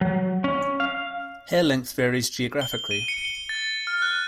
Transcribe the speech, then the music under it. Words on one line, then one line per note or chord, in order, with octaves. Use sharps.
Hair length varies geographically.
F#3
C#4
F5
G7
D#7
C#7
G7
A6
F6
F#6